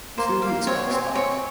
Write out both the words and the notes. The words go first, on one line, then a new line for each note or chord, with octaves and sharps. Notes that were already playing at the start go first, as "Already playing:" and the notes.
Two weeks passed by.
A#3 C5
A#3 F5
C4 C#5
B3
C4 G#5
C4 C#5